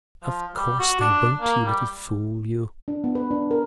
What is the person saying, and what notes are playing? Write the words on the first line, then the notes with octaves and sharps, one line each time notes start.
"Of course they won't, you little fool, you."
F3
G3
F#4
D4
A#3
G3
D4
B3
B4
D4
A#4